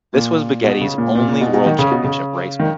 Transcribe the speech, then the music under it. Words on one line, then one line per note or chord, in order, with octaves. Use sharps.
This was Baghetti's only World Championship race win.
A#2
B2
C#3
A#2
A#2
A#2
B2
B2
D#3
C#3
B2
C#3
D#3